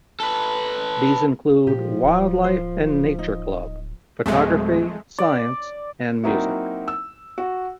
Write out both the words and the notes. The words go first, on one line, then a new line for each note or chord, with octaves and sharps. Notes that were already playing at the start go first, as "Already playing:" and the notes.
These include Wild Life and Nature Club, Photography, Science, and Music.
A4 B4
A#2 F3 G4
D1
C5
D#4
D1 G#3 A3
D5
F#3 A#3 C4 D#4 E4 F#4
E6
F#4